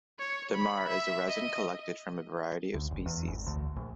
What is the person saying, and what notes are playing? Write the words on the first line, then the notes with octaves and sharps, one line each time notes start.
Dammar is a resin collected from a variety of species.
C#5
B5
E5
D#5
D2
F1
E2
G#1
D2
A#1